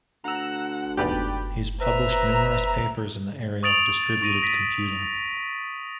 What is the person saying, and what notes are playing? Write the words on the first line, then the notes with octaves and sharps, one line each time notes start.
He has published numerous papers in the area of distributed computing.
D2 F#5 A#5 E6
E2 G#2 B2 G4 B4 D5 G5
B4 C5 E5 A#5
C#6 D#6 A6 D7 F7 F#7
C#6 A#6 D#7 F7
A#6 B6 D#7